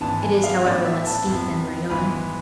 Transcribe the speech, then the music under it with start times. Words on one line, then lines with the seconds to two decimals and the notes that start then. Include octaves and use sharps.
It is, however, less steep than Mayon.
0.01 G#1 G#2 E3 B3 D4 A5
0.22 G#5
0.44 F5
0.64 A2 F3 B3 D4 D5
0.85 E5
1.06 A5
1.26 F2 C3 F3 B3
1.90 G#1 G#2 E3 B3 B5